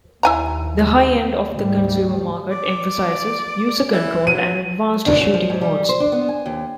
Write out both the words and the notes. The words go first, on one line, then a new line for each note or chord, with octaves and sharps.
The high end of the consumer market emphasizes user control and advanced shooting modes.
D#2 E4 G#5 A#5
D2 G#2 G3
D5
E3
F#3 D#7
D4
F#2
F3
G#2
G3
C5
D4
B3
G#5
D#2